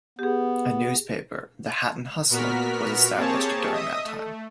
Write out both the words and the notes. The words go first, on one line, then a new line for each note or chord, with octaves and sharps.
A newspaper, "The Hatton Hustler" was established during that time.
B3 G4 G#4
A#2 B3 F#4 A#4 F6 B6
A#3 C4 G4 G#4 C#5 A5
D#5 E5 D#6
A3